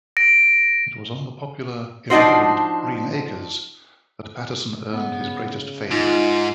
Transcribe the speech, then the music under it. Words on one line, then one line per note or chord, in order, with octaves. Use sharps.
It was on the popular, irreverent "Green Acres" that Patterson earned his greatest fame.
A#6 D7
F3 D4 D#4 F#4 C5
C#3 B3
G#2 D#4 F4